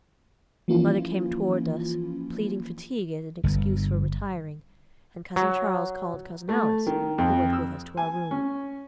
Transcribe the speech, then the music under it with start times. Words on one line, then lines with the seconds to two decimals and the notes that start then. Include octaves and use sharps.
Mother came toward us, pleading fatigue as an excuse for retiring, and Cousin Charles called Cousin Alice, who went with us to our room.
0.68 E3 F3 A#3 C#4 E4 F4
3.44 G1
5.36 F#3
6.49 A3
6.87 D#3
7.18 F2
7.53 E6
7.97 G#5
8.31 C#4